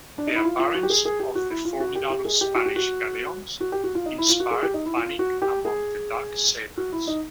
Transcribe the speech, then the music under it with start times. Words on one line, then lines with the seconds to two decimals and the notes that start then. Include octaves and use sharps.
The appearance of the formidable Spanish galleons inspired panic among the Dutch sailors.
0.18 D4
0.27 D#4
0.36 E4
0.45 F4
0.59 F4
0.75 F#4
0.83 G4
0.90 G#4
1.05 G#4
1.20 G4
1.35 F#4
1.50 E4
1.65 F4
1.80 F#4
1.95 G4
2.10 G4
2.25 G#4
2.41 G4
2.55 F#4
2.66 G4
2.76 F#4
3.61 F#4
3.72 G4
3.84 F#4
3.95 F4
4.06 D#4
4.18 E4
4.29 F4
4.40 F#4
4.51 G#4
4.63 G4
4.74 D#4
4.86 E4
4.97 F4
5.19 F#4
5.42 G4
5.65 G#4
6.77 F#4
6.92 E4
7.07 D#4